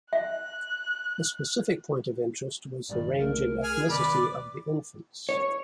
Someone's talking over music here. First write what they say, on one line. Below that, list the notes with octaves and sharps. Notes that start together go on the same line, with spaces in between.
A specific point of interest was the range in ethnicity of the infants.
E5 F#6
F1 G2 D#3 D5
C2 A3 A#4
G#4 G#5 F6
D1 C3 D#3 B4 D5 D6
C#5